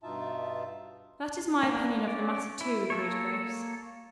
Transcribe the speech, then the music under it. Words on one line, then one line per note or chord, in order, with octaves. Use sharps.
"That is my opinion of the matter, too," agreed Grace.
G2 B2 D#4 F4 E5 A5
A#3 B3 D4
C#4 D5
E4
A#3 A4 C#5